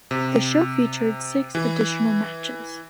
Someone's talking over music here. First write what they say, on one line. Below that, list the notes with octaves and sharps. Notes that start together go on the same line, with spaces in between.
The show featured six additional matches.
C3
E3